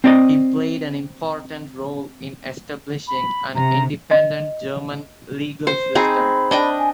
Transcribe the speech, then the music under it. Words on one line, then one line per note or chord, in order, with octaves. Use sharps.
He played an important role in establishing an independent German legal system.
C4 D5 D#5
B5
C3 A#5
D#5
C5
C4 D#4 G#4 B5
D4 D#5 G5
G#5